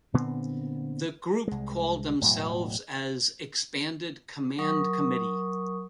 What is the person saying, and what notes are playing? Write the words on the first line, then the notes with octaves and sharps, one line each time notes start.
The group called themselves as ""Expanded Command Committee"".
A#2 D3 B3 C4
C2 G#3
E1 A2 F#3
F#3 A#4 C#6 D#6